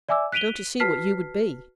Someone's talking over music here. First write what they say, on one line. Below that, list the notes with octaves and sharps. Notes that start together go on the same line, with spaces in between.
'Don't you see what you would be?
D5 E5 G#5 D6 E6
F#6 B6 D7 D#7 F7 G7
F#4 B4 A5 F6 B6 C7